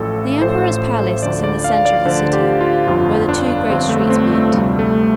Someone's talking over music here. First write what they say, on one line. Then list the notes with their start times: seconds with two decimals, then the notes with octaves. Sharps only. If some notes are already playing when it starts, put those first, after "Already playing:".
The emperor's palace is in the centre of the city where the two great streets meet.
Already playing: A1 A2 F3 A4
0.42 A1 A2 F3 C5
1.23 D2 D3 F3 D5
1.44 D5
1.64 F5
1.85 D5
2.05 D2 D3 F3 C5
2.33 G4
2.61 F4
2.87 G1 F2 D3 F3 F4
3.29 D4
3.70 G1 F2 D3 F3 C4
3.89 A3
4.10 C4
4.31 A3
4.51 D2 C3 F3 G3
4.79 A3